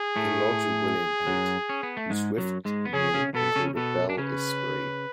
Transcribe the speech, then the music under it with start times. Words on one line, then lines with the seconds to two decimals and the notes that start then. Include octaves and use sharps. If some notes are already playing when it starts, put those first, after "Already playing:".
He lodged with William Pate, whom Swift knew and called a ""bel esprit"".
Already playing: G#4
0.16 A2 A3
1.27 F#2 F#3
1.69 C#4
1.83 B3
1.97 A3
2.10 G#2 G#3
2.38 F#2 F#3
2.65 G#2 G#3
2.85 B3
2.93 C#3 C#4 G#4
3.14 C#3 C#4
3.34 B2 B3 A4
3.56 C#3 C#4
3.76 B2 B3 A4
4.10 D4
4.17 C#3 C#4 B4